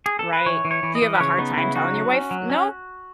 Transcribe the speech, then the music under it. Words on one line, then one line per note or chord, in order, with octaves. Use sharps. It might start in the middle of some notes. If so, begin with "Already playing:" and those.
Right. Do you have a hard time telling your wife no?
G#4
A4
B4
E3 C#5
E3
C#5
E3
D#5
E3
B4
C#3 C#5
B3 D#4
C#3 E4
D#4 F#4
F#3
C#4
F#3
C#4